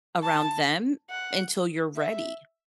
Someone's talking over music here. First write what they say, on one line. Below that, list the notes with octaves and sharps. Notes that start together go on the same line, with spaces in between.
around them until you're ready.
A5
F#5
E5